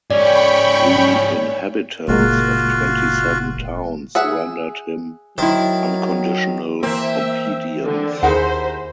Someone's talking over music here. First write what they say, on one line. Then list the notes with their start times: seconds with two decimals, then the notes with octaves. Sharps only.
The inhabitants of twenty-seven towns rendered him unconditional obedience.
0.10 G#2 C#4 C#5 D5 G5 B5 C#6
2.08 F#1 A#2 G#3 A#3 F4 F#4
4.15 G#4 E5 F#5
5.38 D#3 F#3 E4 C5
6.83 E3 A#3 C4 E5
7.84 D3
8.23 D#2 E4 G#4 A#4 C5 F#5 B5